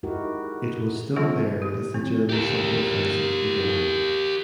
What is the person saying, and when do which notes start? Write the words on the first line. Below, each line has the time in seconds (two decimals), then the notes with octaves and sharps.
It was still there as the German summer offensive began.
0.03 G#3 D#4 E4 F#4 G4 A#4
1.16 E3 G3 A#3 C4 C#4 F4
1.62 G4
1.94 E3 C4
2.29 G4 A#4